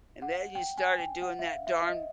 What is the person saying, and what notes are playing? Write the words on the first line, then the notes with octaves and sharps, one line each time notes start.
"And then, you started doing that darn
F#5
G5
G#5
G5
F#5
E5
F5
E5
D#5